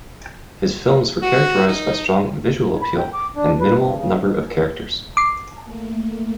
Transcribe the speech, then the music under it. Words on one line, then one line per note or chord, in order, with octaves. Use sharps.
His films were characterised by strong "visual appeal" and minimal number of characters.
F#4
D#4
B5
G5
D6
D4
B4
G2
C#3
G#2
D6 C7
A3 A#3